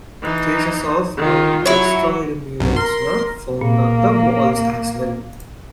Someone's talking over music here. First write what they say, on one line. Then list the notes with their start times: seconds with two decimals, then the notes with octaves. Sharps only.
Traces of now destroyed murals were found on the walls as well.
0.23 E3 D#4
1.18 D#3 F4
1.66 F#3 E4 C#5
2.60 B1 F#2
2.76 A#4 C6
3.61 A#2 A#3